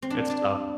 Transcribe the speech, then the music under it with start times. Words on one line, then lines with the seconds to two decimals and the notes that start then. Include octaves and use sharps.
It's tough.
0.02 C4
0.10 D4
0.30 D4